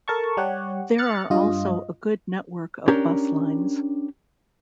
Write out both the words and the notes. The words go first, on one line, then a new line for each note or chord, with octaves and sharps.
There are also a good network of bus lines.
A4 A#4 A5 C#6
G3 G4 C#5 F#5
F6 F#6 A6 C#7
G2 F4 D#5
C#4 D4 G4 A#4